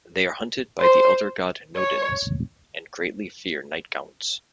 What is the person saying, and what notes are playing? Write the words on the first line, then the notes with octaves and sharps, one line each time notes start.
They are hunted by the Elder God Nodens and greatly fear nightgaunts.
C5
C#5